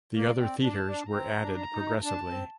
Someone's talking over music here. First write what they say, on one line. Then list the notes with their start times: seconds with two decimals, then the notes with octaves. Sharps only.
The other theatres were added progressively.
0.15 A#3 D5
0.39 C4
0.63 D4 A5
0.87 D4
1.09 C4 A#5
1.41 D4
1.57 A#5
1.73 D#4
2.04 D4 A5
2.28 C4